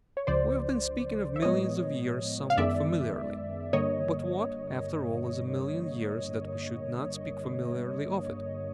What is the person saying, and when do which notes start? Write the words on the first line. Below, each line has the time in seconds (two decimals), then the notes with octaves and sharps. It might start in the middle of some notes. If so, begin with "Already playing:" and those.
We have been speaking of millions of years somewhat familiarly; but what, after all, is a million years that we should not speak familiarly of it?
0.17 C#5
0.27 C#2 C#3 F3 C5 D5
1.36 E5
1.42 A2 F3 G#3 B3 C#5 D#5
2.50 F5
2.57 F#2 D#3 G#3 B3 D5 E5
3.73 G2 D3 G3 A#3 C#5 D#5